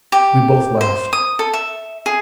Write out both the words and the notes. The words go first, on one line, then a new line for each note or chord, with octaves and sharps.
We both laughed.
G4
C5
D#6
A4
E5
G#4